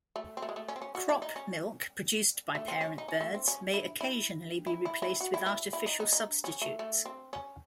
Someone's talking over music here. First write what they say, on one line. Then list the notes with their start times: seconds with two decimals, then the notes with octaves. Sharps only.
Crop milk produced by parent birds may occasionally be replaced with artificial substitutes.
0.16 A3
0.37 C4
0.42 A3
0.49 G#3
0.56 A3
0.68 C#4
0.76 C4
0.82 C#4
0.95 F#4
1.09 E4
1.22 D#4
1.36 C#4
2.55 A3
2.68 C4
2.81 C#4
2.98 D#4
3.08 C#4
3.21 A3
3.34 C4
3.48 C#4
3.74 E4
4.01 E4
4.67 E4
4.85 E4
5.02 E4
5.21 F#4
5.34 E4
5.46 E4
5.73 E4
5.86 D#4
6.00 D#4
6.13 D#4
6.44 C#4
6.62 A3
6.79 A3
7.06 C4
7.33 C#4